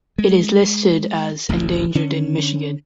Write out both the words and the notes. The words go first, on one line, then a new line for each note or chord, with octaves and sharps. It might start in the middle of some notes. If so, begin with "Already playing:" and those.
It is listed as endangered in Michigan.
G#3
D1 A1 D2
D3 C#4